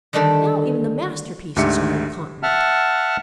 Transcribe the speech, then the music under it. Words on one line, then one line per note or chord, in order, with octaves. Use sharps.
Now even the masterpieces are incontinent.
D3 D#3 G3 A3 D4 A4
D2 G#2 D4 G4 E5 C#7
E5 F#5 A5 F6